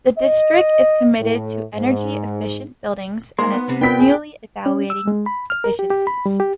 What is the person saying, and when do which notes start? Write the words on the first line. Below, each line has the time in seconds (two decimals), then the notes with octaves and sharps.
The District is committed to energy efficient buildings and is continually evaluating efficiencies.
0.18 D#5
1.20 A2
1.76 G#2
3.38 G#3 A#3 D#4 C5 C6
3.54 B3
3.69 C3
3.81 B3 F4 A#4 D5 G5 B6
3.99 G#4
4.66 C#4
4.90 E6
5.08 G#3
5.26 B5
5.50 F6
5.64 A#4
5.79 G4
5.90 G4
6.07 B5
6.26 G3
6.40 G4